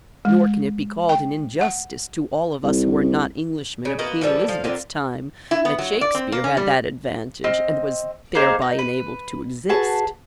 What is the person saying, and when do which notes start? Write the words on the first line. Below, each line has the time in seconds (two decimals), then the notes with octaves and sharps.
Nor can it be called an injustice to all of us who are not Englishmen of Queen Elizabeth's time that Shakespeare had that advantage and was thereby enabled to exist.
0.25 G#3
1.09 G5
1.61 F#5
2.64 C2
3.85 C#3
3.99 A#3 B3 F#4 D#5
4.21 E3 F3 G3 A4
4.48 F3 F5
4.64 A#2 D3 C4 F4
5.51 E4
5.65 B3
5.78 F#3
6.01 D5
6.15 C4
6.32 A#3
6.44 C#4
6.57 G3
7.44 C4 D#5 F6
8.35 A#3 D#4 G#4 C5
8.62 D#4
8.79 B4
9.69 F#4 G#4 B4 A5